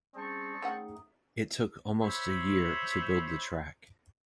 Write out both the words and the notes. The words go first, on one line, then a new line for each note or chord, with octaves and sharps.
It took almost a year to build the track.
G3 C4 C#4 G#4 A5 C#6
D#3 A3 C#4 D#4 G#4 F#5
C5 C#5 E5 B5